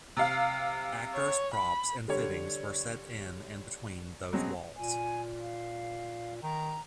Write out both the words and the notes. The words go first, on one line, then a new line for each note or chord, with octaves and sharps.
Actors, props and fittings were set in and between those walls.
C3 F5
C#5
B5
D3 G3 C#5
B2 F#3 G#3 C4 C#4
A#2 G#5
F5
D#3 A#5